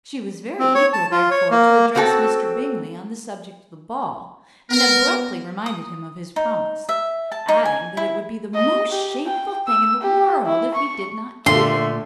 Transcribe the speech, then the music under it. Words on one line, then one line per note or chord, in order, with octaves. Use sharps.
She was very equal, therefore, to address Mr. Bingley on the subject of the ball, and abruptly reminded him of his promise; adding, that it would be the most shameful thing in the world if he did not keep it.
C4
C#5
A5
F4
C#5
A#3
C#3 C4 F#4 A4 A5
B3 A#4
D#6
D#4
E5
A5
D#4
G#5
E4
D#5
G4
G5
E6
G4
E4
C#6
A#2 D3 A3 E5 C6